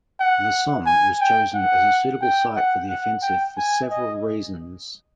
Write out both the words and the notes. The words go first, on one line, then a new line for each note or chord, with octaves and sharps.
The Somme was chosen as a suitable site for the offensive for several reasons.
F#5
G#5
G5
F#5
G5
F#5
F#5
G5
G#5
D#5